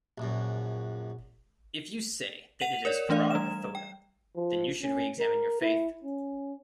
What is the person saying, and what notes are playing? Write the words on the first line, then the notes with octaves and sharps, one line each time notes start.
If you say that it is Farag Foda, then you should reexamine your faith.
A#1 F#2
F#5 D#7 F7 F#7
A#4 C#5 D5
E3 A3 D4 D5 F5
G3 E7
G5
F3
C#4
A#4
E4
C#4